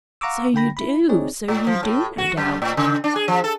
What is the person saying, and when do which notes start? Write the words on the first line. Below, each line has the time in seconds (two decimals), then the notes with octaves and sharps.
'So you do, so you do, no doubt.
0.21 F5 F#5 A#5 C#6 D6 E6
0.54 D3 A#3 G5 B5 A#6
0.77 E4 B5
1.09 C4 D#4 G#4 C#5 D5
1.48 A2
1.67 F3
1.83 A2
2.18 F#4
2.37 F#2
2.62 A2
2.77 C#3
3.04 D4
3.16 G#4
3.28 F3
3.44 A4